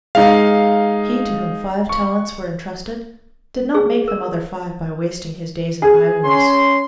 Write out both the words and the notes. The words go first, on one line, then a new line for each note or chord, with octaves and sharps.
He to whom five talents were intrusted, did not make them other five by wasting his days in idleness.
G#3 D#4 F5
C#6
G#4
A#4
G#4
C#4 C6